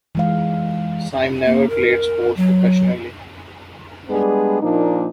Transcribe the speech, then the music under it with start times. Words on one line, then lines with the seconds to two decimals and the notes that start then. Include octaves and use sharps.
Sime never played sports professionally.
0.15 E3 G#3 F5
1.45 A#3
1.69 A#4
2.37 F#3
4.09 G3 G#3 B3 D4 G#4
4.62 A#2 F3 A#3 D4 D#4